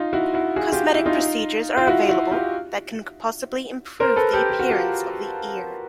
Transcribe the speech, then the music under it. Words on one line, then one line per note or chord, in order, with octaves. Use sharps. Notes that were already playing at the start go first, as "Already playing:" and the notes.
Cosmetic procedures are available that can possibly improve the appearance of the ear.
Already playing: D#4 F4
E4 F#4
E4 F#4
F#4 G#4
F4 G4
E4
D#4 F4
F4
E4 F#4
E4 F#4
F4 G4
A#4 C5
A4 B4
G4 A4
G4
F#4
F4 G4